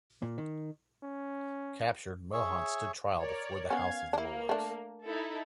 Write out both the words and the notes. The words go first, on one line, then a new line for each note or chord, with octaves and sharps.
Captured, Mohun stood trial before the House of Lords.
A#2
D#3
C#4
G#4 C#5 E5 C#6
A#4 C#5 D5
B3 C#4 F5 G#6
A#3 D4 E4
A3 D4
D#4 E4 A4